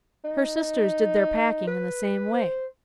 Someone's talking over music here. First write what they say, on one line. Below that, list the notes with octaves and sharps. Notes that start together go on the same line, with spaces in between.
Her sisters did their packing in the same way.
D#4
B4
C5